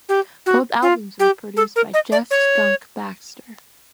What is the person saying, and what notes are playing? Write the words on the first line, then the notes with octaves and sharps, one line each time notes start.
Both albums were produced by Jeff "Skunk" Baxter.
G4
F#4
F4
G4
A4
A#4
D#5
D5
C#5